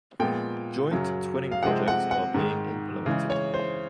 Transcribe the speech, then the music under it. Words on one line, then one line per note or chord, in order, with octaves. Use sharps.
Joint twinning projects are being implemented.
A#2 F3 G#3 B3 G5
F#2 C#3 F#3
F5
C3 F3 G#3 C4 F#5
F#5
F#5
G#2 D#3 G#3
C#3 E3 G#3
C#5
C5